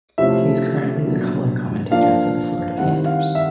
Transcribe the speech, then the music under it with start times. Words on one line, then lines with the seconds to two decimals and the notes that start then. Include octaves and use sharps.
He is currently the color commentator for the Florida Panthers.
0.18 C3 F3 A3 C#4 E4 E5
1.05 A#2 F#3 B3 D4
1.91 F3 A#3 D4 F5
2.78 D#3 G3 C4 E4 F#5
3.06 F5
3.35 E5